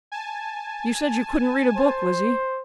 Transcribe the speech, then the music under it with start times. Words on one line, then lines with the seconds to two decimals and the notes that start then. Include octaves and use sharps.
'You said you couldn't read a book, Lizzie.
0.12 G#5 A5
1.76 C5